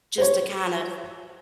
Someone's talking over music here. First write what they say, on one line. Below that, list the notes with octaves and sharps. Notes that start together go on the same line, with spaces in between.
just to kind of
C5 C#5